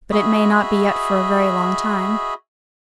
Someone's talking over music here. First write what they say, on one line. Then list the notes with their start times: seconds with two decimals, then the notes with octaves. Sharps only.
"But it may not be yet for a very long time."
0.12 F#4 G#4 D#5 E5 B5